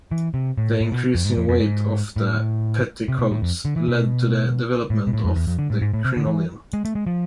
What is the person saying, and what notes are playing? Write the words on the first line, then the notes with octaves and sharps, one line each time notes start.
The increasing weight of the petticoats led to the development of the crinoline.
E3
C3
A2
A2
B2
F2
G#2
F2
F2
G#2
A2
C3
B2
A2
F2
D3
E3
B2
A2
B2
A2
F2
E2
F2
D3
A2
G#2
A2
C3
D3
E3
G#3
A3
G#3
F3